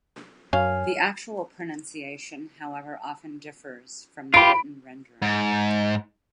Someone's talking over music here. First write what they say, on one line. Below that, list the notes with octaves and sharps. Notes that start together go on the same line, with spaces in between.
The actual pronunciation, however, often differs from the written rendering.
F#2 C#5 F5 G#5
F4 G4 B5 D7
G#2